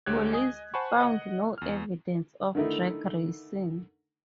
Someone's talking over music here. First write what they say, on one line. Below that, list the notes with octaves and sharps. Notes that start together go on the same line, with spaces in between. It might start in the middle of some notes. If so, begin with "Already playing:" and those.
Police found no evidence of drag racing.
D2 G#3 G4 C#5 F#6 G#6
D#5 G#5 D#6
C5 F#5 G#5 A5 B5 C#6
D#5 F#5
E2 F6
D3 D#3 A3 D#4 E4